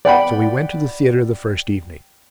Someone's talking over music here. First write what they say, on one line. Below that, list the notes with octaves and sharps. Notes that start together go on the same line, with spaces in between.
So we went to the theatre the first evening.
D5 F#5 G5 B5